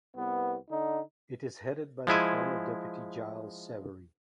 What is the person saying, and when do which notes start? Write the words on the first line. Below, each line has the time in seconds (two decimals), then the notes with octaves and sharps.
It is headed by the former deputy Gilles Savary.
0.16 C2 B3
0.70 D3 D#4
2.07 F3 G#3 E4 G#5